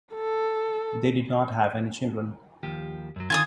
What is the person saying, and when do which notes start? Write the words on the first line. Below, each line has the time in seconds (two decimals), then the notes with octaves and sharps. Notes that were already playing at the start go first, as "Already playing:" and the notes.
They did not have any children.
0.15 A4
2.63 D#2 F3 G4
3.16 F#2 F#3
3.30 D3 D#3 F4 G#5 D#6 G#6